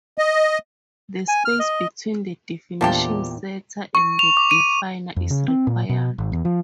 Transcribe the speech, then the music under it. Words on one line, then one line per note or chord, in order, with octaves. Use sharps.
The space between the definition setter and the definer is required.
D#5
G#5
F6
D#5
E2 A#2 F3 D4 G4
C#6
F7
D6
D#7
F2
C#3
C4
A#2
B2
G#1
E2
F3